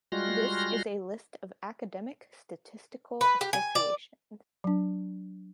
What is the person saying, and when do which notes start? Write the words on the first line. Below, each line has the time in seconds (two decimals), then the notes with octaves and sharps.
This is a list of academic statistical associations.
0.12 G3 G#3 F4 F#4 C6 A#6
3.21 B4
3.41 G4
3.53 G#5
3.75 D5
4.64 F#3 D4